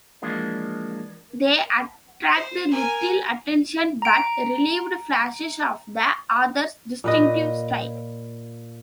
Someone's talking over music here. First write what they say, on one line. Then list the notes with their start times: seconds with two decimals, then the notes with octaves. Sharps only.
They attracted little attention but revealed flashes of the author's distinctive style.
0.22 E3 F3 G#3 A#3 D4
2.34 C5
2.71 A#4 G#5
4.02 A#5 D7
7.04 A#2 B4 D#5